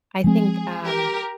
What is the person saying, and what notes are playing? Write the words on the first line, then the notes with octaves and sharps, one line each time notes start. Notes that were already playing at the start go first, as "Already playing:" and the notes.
I think, um
F3 G#3 C4 G#4
G4 A#4